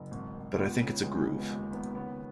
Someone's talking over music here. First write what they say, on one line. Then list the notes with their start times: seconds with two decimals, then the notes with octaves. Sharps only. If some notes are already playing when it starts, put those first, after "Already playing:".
But I think it's a groove.
Already playing: F#1
0.11 G#1
0.34 G#1
0.58 C#2 B3
0.81 C#3
1.03 C#2 G#3
1.15 G#3
1.26 C#3 G#3
1.38 B3
1.49 D#2 G#3
1.72 D#3 B3
1.95 C#3 B3